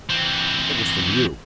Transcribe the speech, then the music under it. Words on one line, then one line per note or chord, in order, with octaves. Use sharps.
It was from you!
E3 C4